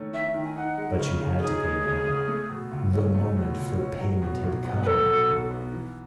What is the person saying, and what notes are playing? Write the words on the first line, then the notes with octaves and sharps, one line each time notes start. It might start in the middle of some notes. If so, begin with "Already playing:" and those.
But she had to pay now; the moment for payment had come.
Already playing: D#3 A3 C#4
D#3 E5
D#3
G#5
D#4 F#5
G#3
C#3
C#3
A4
D#4 G#4
G#3
C#3
C#3
A3
B2
C#2
C#4
A3
B2
C#2
C#4
F#3
B2
B1
B3
B4
F#3 A4
B2
B1
B3
E3